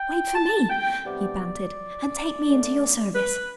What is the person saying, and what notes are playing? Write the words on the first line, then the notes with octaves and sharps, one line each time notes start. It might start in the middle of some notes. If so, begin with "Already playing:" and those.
'Wait for me,' he panted, 'and take me into your service.
Already playing: G5
A5
G5
C3 G3 B3 D4 D5
D3 A3 D4
B4